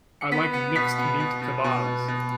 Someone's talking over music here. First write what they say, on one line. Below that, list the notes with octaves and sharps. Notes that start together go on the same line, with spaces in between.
I like mixed meat kebabs.
C#7
B3 B6
B3 C#7
B2 B6
B3
B2
B2
B2
B2
B2